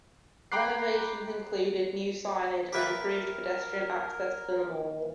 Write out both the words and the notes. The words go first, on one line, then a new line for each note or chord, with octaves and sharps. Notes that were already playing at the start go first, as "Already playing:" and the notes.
Renovations included new signage and improved pedestrian access to the mall.
G5 A#5 B5 D6 F#6 C7
G4 A#4 B4 E5